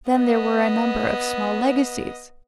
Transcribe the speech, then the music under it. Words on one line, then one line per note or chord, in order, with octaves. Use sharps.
Then there were a number of small legacies.
B3 D#5